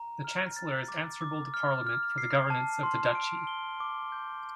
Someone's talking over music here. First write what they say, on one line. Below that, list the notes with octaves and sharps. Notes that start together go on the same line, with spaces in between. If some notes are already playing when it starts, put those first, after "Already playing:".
The Chancellor is answerable to Parliament for the governance of the Duchy.
Already playing: A#5
F6
A6
D6
D6
F6
F6
C7
A5
C6
D7
G7
D6
G6